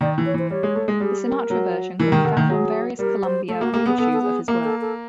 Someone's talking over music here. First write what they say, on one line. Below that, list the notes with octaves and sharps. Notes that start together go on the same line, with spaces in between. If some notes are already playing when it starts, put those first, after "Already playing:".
The Sinatra version can be found on various Columbia re-issues of his work.
D#3 D5
E3
C#5
E3 C5
G3 C#5
G#3
A3
G#3
G3 G#4
A#4
F#3
E3 A#4
D#3
D3
D#3
F#3 G#4
G3 A#4
C5
A3 A4
A#3 F#4
A#3 G4
B3 G#4
B3 A4
A4
G#4
A#3 A#4
A4
A4